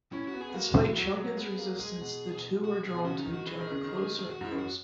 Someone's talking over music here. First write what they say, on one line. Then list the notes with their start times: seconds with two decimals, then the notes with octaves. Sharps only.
Despite Shunkin's resistance the two are drawn to each other closer and closer.
0.13 C#4 E4
0.27 F#4
0.34 B3
0.40 G#4
0.50 B3
0.54 A#3 F#4
0.68 G#3
0.83 E3
0.97 F#3
1.17 F#3
1.28 A#3
1.37 B3 G#4
1.59 A#3
1.75 F#3
1.80 G#3 G#4
2.01 B2
2.64 F#4
2.84 G#4
2.94 B2
3.04 C#3 F#4
3.19 D#4
3.26 D#3
3.33 F#4
3.47 E3 G#4
3.59 D#3
3.71 C#3
3.83 D#3
4.19 G#4
4.30 F#4
4.41 G#2 E4
4.51 F#2
4.58 F#4